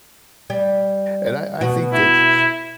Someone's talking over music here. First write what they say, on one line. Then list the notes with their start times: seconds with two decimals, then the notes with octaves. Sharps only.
and I I think that
0.50 G3
1.61 B2 F#4
1.93 E4